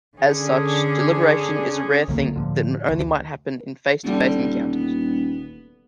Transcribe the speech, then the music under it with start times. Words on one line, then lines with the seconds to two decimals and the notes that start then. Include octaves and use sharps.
As such, deliberation is a rare thing that only might happen in face-to-face encounters.
0.18 D3 C#4 D4 G#4
2.08 C#2 D3 F#3 A#3
2.36 A2 D3 F3
2.90 D2
4.04 D#1 D3 G3
4.72 B3